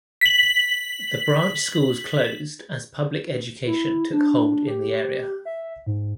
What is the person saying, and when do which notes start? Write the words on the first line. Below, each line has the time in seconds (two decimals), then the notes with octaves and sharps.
The branch schools closed as public education took hold in the area.
0.21 B6 F#7
3.67 E4
4.13 D4
4.68 G4
5.46 E5
5.87 G#2